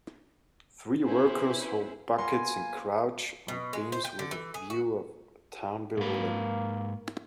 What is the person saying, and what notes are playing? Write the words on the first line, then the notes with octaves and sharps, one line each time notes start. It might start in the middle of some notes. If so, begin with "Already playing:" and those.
Three workers hold buckets and crouch on beams with a view of a town below them.
B3 C#4 E4 B4 C5
A#3 B3 F4 G#5 C6
B2
G#3
C5
G5
D3
E3
G#4
F#4
G#2 A#3 B4